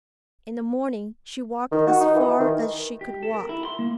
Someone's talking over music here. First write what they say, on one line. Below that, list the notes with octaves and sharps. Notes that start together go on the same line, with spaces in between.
In the morning, she walked as far as she could walk.
D#3
F#4
D#4
E3
D#3
G4
A4
A#4
E4
C6
A#3